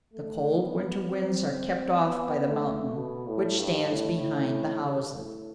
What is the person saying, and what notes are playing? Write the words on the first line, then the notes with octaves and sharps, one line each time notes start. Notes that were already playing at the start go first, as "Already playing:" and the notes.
The cold winter winds are kept off by the mountain which stands behind the houses.
A3
B3
C4
B3
A3
B2
A2
G2
A2
G2
A2